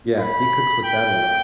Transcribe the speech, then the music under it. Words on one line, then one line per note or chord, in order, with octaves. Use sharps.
yeah, he cooks with that a lot.
B5
G5